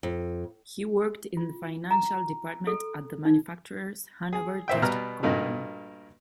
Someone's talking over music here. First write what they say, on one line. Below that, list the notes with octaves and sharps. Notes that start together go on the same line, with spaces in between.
He worked in the financial department at the Manufacturer's Hanover Trust Company.
F2
F4
A#5
A4
D#4
G#4
A#2 C5 E5 G5
B2 G3 B3 A#5 F6
G2 A#2 A3 A#3 D#4 F#4